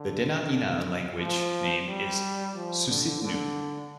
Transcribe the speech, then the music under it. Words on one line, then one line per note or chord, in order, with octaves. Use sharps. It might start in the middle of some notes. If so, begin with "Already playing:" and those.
The Dena'ina language name is "Susitnu".
Already playing: D3
F3
G3
F3
D3
D3